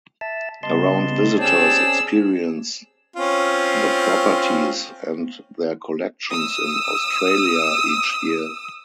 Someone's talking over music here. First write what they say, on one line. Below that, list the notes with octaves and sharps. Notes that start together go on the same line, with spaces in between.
Around visitors experience the properties and their collections in Australia each year.
E5 A5
C#3 G3 B3 D#5 A5 C6
C4 C#4 G4 G#4 D5 G5 A5 E6
C4 C#4 F4
D#6 E6